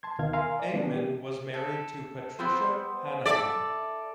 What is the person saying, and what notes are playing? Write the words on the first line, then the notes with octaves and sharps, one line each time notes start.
Engman was married to Patricia Hanahan.
A5 C6 G#6
D2 B2 D#3 F5 G#6
A#4 E5 F5 G#5 A#5 C6
D5
E3 B3 C#4 D4 E4
G4
A4
B3 C4 C5
A4 D5 E5 E6